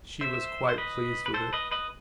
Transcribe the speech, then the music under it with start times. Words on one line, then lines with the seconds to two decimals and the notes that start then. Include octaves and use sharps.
She was quite pleased with it.
0.21 C5 E5
0.69 C5
0.78 B4 D#5
1.26 B4
1.34 A4 C5
1.53 B4 D#5
1.71 B4 D#5